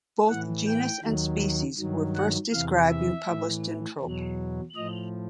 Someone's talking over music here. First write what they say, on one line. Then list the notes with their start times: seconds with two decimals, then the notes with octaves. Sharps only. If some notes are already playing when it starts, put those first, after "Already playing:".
Both genus and species were first described and published in Trop.
0.29 A2 E3 F#5
0.67 G5
1.03 D#2 D#3 F#3
1.78 G2 D#3 F#3
2.16 F#5
2.52 E2 C3 E3 F5
2.90 E5
3.26 A2 E3
4.00 E2 B2 F#3
4.75 A2 F3 D#5